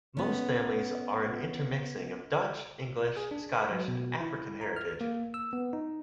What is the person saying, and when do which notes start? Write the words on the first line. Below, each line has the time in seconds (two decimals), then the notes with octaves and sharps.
Most families are an intermixing of Dutch, English, Scottish, and African heritage.
0.17 B3 C#4
3.17 G#4
3.31 D4
3.53 B5
3.72 F#3
3.88 B2
4.20 E4
4.61 A#5
4.76 F6
5.01 A#3
5.34 E6
5.53 B3
5.73 D#4